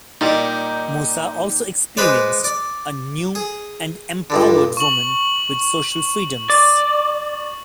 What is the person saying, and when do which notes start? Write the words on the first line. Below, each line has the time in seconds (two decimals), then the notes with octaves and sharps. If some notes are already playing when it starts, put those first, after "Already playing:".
Musa also experienced a new and empowered woman with social freedoms.
0.21 A#2 G3 D#4
1.97 G#3 B4 C5 D5
2.44 D5
3.35 G#4
4.30 C#2 G2 D3
4.77 C#6 F#7
6.50 D5